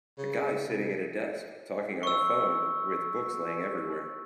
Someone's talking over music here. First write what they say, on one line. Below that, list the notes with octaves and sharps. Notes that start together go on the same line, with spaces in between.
A guy sitting at a desk talking on a phone with books laying everywhere.
C#3
C3
C#6 E6